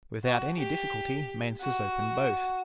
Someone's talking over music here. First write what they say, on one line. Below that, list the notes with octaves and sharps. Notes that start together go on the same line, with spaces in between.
Without any difficulty Mansus opened both.
F#4
G4
F#4